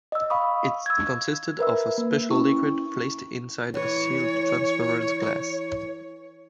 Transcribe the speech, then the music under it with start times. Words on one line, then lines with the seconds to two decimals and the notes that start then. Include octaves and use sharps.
It consisted of a special liquid placed inside a sealed transparent glass.
0.12 D#5 E6
0.30 F5 B5 C#6 D#6
0.86 E6 G#6
1.59 A#4 B4 E5 E6
1.98 A#3
2.29 C#4 E4 C#6
3.74 E3 C#5